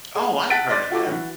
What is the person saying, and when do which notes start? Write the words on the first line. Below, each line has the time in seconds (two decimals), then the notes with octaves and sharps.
Oh, I've heard of them.
0.15 G#4
0.50 F#5 A5 F#6 A6 B6 D7
0.69 D5 D#5 C6 D6 A6
0.90 F4 F#4 A4 D6
1.05 E3 F#4